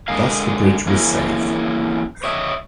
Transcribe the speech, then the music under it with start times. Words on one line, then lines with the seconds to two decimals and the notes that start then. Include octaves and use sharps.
Thus the bridge was saved.
0.08 D3 G#3 G#4 A#4 F5
0.86 E3 A#3 C#4 E4 G#4 A#4
2.24 C#5 D#5 E5